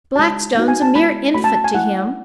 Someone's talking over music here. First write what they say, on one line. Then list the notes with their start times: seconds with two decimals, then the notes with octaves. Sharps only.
Blackstone's a mere infant to him.
0.15 G#3 D#4 F#4 A5
0.55 B3 D#4 F#4
0.68 G#5
0.82 A5
0.95 G#3 B3 E4 B5
1.34 A3 C#4 F#4 B5
1.44 A5
1.54 A5
1.64 G#5
1.74 A3 E4 F#5